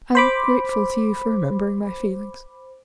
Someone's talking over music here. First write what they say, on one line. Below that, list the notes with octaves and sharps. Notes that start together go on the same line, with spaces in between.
"I am grateful to you for remembering my feelings."
C5 B5 D6